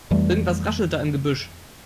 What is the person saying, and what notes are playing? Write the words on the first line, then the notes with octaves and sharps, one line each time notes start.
Irgendetwas raschelt da im Gebüsch.
F2 E3 G3 A3